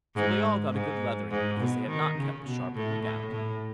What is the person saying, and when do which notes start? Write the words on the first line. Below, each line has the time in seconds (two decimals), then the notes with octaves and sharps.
So they all got a good leathering because they had not kept a sharper look-out.
0.15 G#2
0.73 G#2
1.30 G#2
1.59 B2
1.88 D#3
2.18 C#3
2.45 B2
2.75 A2
3.03 A2
3.32 A2